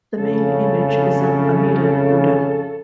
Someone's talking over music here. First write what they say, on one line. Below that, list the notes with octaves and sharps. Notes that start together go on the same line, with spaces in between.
The main image is of Amida Buddha.
F2 A2 C#3 A4